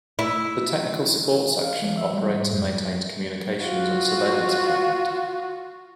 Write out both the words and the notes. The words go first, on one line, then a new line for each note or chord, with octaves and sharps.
The Technical Support section operates and maintains communications and surveillance equipment.
E4
F5
G#3
E5
G3
G#2
F#2
F4 F#4